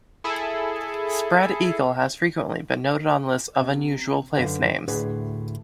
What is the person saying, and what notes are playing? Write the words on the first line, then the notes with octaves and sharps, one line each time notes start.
Spread Eagle has frequently been noted on lists of unusual place names.
E4 G#4 A4
C3
F#2 D3 B4 F5
D2 A2 D4 G#4 B4 F#5